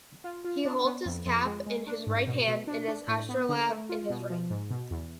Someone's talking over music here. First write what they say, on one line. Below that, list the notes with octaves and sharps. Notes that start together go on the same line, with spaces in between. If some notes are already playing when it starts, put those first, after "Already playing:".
He holds his cap in his right hand and his astrolabe in his right.
F4
F4
D4
B3
F2
F2
G#3
G#3
D4
G#2
B2
B2
D4
D4
A2
B3
D3
A3
F4
B2
F3
G#2
B2
E2